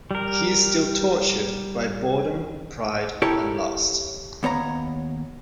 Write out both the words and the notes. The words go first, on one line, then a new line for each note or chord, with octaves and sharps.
He is still tortured by boredom, pride, and lust.
G3 A#4
E4 G4 A4 A#4 C#5
D#2 B3 C#5 A#5